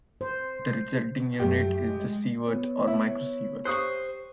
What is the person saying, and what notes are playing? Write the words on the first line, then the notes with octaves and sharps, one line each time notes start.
The resulting unit is the sievert or microsievert.
C5
F#2 A3 G4
G#3
B3 C#5
E4
G4 C5 C#6 D#6 F#6